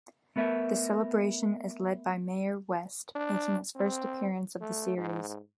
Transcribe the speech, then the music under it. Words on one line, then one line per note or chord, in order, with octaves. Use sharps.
The celebration is led by Mayor West, making his first appearance of the series.
A3 B3 A#4 E5
D4
C4
A3
G#2